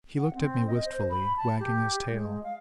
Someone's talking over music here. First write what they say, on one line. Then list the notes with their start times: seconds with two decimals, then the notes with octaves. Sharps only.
He looked at me wistfully, wagging his tail.
0.18 F#5
0.34 C4
0.67 D#5
0.85 C5
1.10 B5
1.37 A5
1.60 G4
2.10 G#3
2.44 F5